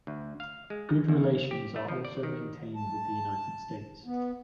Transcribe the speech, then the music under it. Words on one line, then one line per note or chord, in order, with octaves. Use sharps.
Good relations are also maintained with the United States.
D2
F5
G#3
E2
G4
A3
F3
D5
D#3
A5
B3